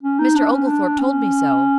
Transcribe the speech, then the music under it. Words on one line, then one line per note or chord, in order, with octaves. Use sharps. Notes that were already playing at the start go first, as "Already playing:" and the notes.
"Mr. Oglethorpe told me so."
C#4
D#4
D4
C#4
D4
C#4